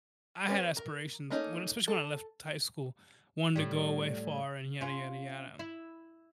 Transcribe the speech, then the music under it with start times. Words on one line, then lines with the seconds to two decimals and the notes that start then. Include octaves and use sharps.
I had aspirations when especially when I left high school, wanted to go away far and yada yada yada;
0.48 B3 C#4 G#4
0.77 A#4
1.30 A3 A#3 C#4 D#4
1.88 A4
3.56 A2 G3
4.81 C#4 F4
5.59 E4